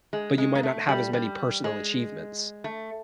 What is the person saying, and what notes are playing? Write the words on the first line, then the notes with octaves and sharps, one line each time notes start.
but you might not have as many personal achievements,
G#3
G#3
A#3
A3
G3
G3
G#3
A3